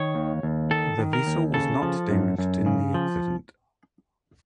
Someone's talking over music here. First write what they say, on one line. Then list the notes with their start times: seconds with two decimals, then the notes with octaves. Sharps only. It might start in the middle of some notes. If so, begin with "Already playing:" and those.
The vessel was not damaged in the accident.
Already playing: D#3 C#5
0.15 D#2
0.43 D#2
0.71 D#3 A4
0.98 D#3
1.13 A#4
1.27 D#2
1.54 C#3 A4
1.82 F3
2.10 F#2
2.38 F#2
2.66 C#3
2.94 F3